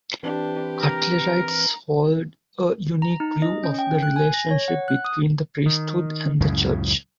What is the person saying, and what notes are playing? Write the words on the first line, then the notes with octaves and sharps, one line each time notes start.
Cutlerites hold a unique view of the relationship between the priesthood and the church.
E3 C4 D4 G4 B4
A#4 A#5
A#5
D#4
D#5
C#4
G5
F#6
G#5
A#6
C#5
F#5
F#6
D#6
D#3
C#2 F#2 A2 C#3